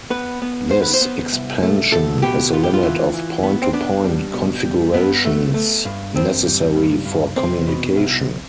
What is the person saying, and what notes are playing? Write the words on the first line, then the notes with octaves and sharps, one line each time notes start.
This expansion is the limit of point-to-point configurations necessary for communication.
B3 B4
B3
B3 C5
B4
C5
B3
C2
A3
C2 A4
B2 G4
B3 F4
G4
F4
E3
E3
B3
C4
B3 D4
G3
B2
G3
G2 B3
A3
A3
G2
G2 C4
G3
G2
G2
C2 C4
B2
C2